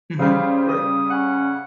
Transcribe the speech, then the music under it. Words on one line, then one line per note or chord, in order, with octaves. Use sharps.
Mhm. Right.
C#3 G3 C5 F5
D#6
C#4 F#5